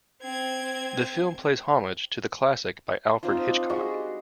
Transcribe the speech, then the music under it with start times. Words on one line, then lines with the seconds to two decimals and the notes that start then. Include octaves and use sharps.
The film plays homage to the classic by Alfred Hitchcock.
0.22 C4 G#6
3.23 C4 D4 D#4 F4
3.69 G3 G#3 F#4